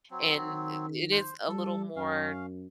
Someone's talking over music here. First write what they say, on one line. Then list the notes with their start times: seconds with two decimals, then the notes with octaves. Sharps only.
and it it is a little more
0.11 F#3 C4
0.43 D#3
1.11 C5
1.48 G3 A4
1.96 F#2 C#4 F5